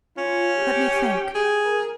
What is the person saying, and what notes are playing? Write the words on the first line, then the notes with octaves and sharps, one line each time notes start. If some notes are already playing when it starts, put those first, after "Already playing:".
"Let me think."
C#4 F4
G4 G5
G#4
A#4